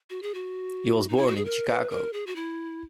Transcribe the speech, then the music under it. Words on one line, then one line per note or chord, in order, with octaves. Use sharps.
He was born in Chicago.
F#4
G#4
F#4
D#4
E4
F#4
G#4
A#4
B4
A#4
G#4
F#4
E4